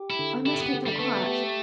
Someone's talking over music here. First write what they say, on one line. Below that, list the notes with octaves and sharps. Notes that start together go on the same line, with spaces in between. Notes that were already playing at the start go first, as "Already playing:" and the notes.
I must keep that quiet.
Already playing: G4
E4
D3
E4 G4
A3
B3
D3
G3
A3 B3
G4